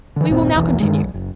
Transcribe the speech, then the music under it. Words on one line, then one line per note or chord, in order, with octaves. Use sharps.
We will now continue.
D3 E3
G1 D#2 A#2 C4
D#1 B1 E2 E3
G2 D#3 G#3
B1
F#1